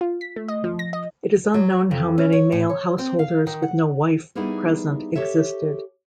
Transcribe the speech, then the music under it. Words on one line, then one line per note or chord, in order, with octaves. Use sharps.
It is unknown how many male householders with no wife present existed.
F4
B6
A3
D#5
F3
A#6
D#5
F#3
F2
C#4
C#5
A2
C#5
C4
F5
D#3
F#5
G3 A#3 B3 D#4 E4 G#4
G4 A4 C#5 E5